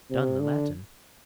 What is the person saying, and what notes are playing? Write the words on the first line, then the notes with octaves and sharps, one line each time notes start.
"Done the Latin!"
C3
D3